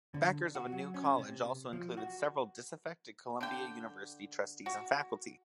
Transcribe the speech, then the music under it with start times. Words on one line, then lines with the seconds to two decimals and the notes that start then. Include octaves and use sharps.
Backers of a new college also included several disaffected Columbia University trustees and faculty.
0.14 D3
0.55 F#4
0.72 F#3
0.94 C#4
1.18 C3
1.73 F3
1.97 F#4
3.41 D3 G5
4.66 F#4